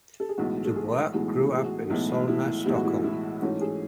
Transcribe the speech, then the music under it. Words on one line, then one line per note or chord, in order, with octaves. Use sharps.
Dubois grew up in Solna, Stockholm.
A4
G#4
B1 A2 E3 G#3 B3 F#4
A4
G#4
B1 A2 E3 G#3 B3 F#4
G#4
G#4
F#4
B1 A2 E3 G#3 B3 E4
E4
B1 A2 E3 G#3 B3 E4
F#4
E4
E4
G#2 E3 A3 C#4 F#4
G#4